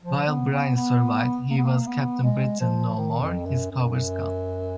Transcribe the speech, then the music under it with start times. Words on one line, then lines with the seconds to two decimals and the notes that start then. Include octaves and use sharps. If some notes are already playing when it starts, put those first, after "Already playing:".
While Brian survived, he was Captain Britain no more, his powers gone.
0.02 F3
0.27 B3
0.52 B3
0.75 B3
1.50 A#3
1.57 B3
1.64 A#3
1.87 B3
2.23 G#3
2.60 F3
2.97 D#3
3.21 F2
3.46 F#2
3.71 F#2